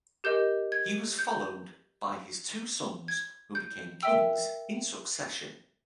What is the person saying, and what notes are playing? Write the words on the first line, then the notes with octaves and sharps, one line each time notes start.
He was followed by his two sons who became kings in succession.
G4 A#4 D#5 G6
G#6
G6
G#6
G6
A#4 E5 G5 E6